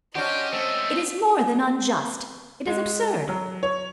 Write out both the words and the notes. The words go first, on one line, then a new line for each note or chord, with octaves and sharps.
It is more than unjust--it is absurd!
C#4 D4 F#4 G4 C5 D#5
G#2 A3 C4 A4
G#3
F#3
C#5